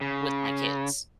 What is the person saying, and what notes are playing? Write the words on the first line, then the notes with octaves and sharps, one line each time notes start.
with my kids."
C#3